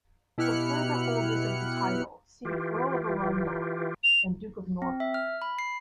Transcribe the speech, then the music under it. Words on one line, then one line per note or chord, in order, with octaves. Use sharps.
For further holders of the title see Earl of Arundel and Duke of Norfolk.
B2 E4 G4 F6 F#6 C#7
E3 F4 G4
F7
C4
E5
F6
B5
C7